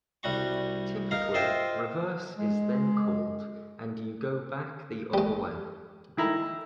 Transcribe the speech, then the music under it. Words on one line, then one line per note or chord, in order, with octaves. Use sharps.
Typically "reverse" is then called and you go back the other way.
C2 G3 F#4 C#6
D#4 A#4 F5
F4 C5 D#5 E5 G5
G#3
G3 G#3
D#3 E4 A#5